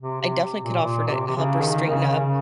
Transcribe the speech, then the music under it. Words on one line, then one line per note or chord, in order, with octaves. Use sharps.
I definitely could offer to help her straighten up.
C3
C3
A#2
A#2
C3
C3
C#3
D#3
C#3
C#3